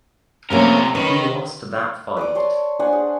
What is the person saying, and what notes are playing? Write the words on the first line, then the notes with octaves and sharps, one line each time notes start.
He lost that fight.
C3 F3 A3 A#3 C#4 A#4
D#3 C#4 B4
B4 D5 D6
C#5 A5 C6
D4 C5 F#5 G#5
G#4